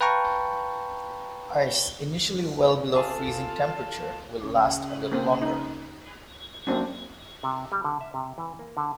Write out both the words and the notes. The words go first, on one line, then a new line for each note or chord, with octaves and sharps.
Ice initially well below freezing temperature will last a little longer.
B4 F5 G5 A5 A#5 C#6
F4 G#4 A4 E5 F5 A5
C#3
A#3 C4
D#4
F#2 A#3 C4 D4
C3
G3
D3
E5
C3
E3
A#3
D3